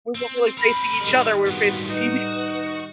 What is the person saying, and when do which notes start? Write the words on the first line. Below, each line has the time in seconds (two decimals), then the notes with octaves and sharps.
we weren't really facing each other, we were facing the TV.
0.15 C4
0.58 C4 A#4 B5
1.01 A2 D#3 G3 G#3
1.46 G2 G#3 B3 F#4
1.90 D#4 F#4 B4